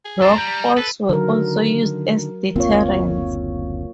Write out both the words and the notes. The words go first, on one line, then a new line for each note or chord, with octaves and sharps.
Rock falls were also used as deterrents.
G#4
A4 C5 A#5
G3
A4 B4
D3 D#3 F#3 A#4
F#1 D2 A#3 C4 F4 C#5